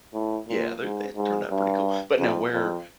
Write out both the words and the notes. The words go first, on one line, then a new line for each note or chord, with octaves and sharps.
Yeah, they're they had turned out pretty cool. But now where
A2
A#2
G#2
G#2
G2
F2
F2